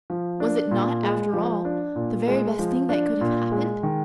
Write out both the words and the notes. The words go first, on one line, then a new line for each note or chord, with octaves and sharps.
Was it not, after all, the very best thing that could have happened?
F3
D4
A#2
G#3
F3
D4
A#2
G#3
F3
D4
A#2
G#3
D#3